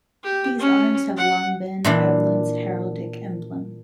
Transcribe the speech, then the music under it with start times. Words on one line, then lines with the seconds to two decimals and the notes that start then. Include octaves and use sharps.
These arms have long been Ireland's heraldic emblem.
0.23 G4
0.59 C#4
1.17 F#5
1.84 A#2 E3 D4